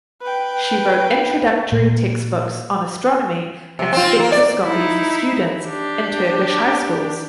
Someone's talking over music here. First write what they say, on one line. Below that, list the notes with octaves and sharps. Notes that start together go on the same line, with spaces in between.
She wrote introductory textbooks on astronomy and spectroscopy for students in Turkish high schools.
B4 G5
A#2
C3
C4 F4
A#3
D5
D#4 E4
D4 G4